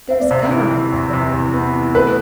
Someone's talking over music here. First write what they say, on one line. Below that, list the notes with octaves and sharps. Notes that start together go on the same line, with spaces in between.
There is government therein.
E5
D5
C3 C5
E3
E3
E2
C3
E2
B3
E3
A3 B4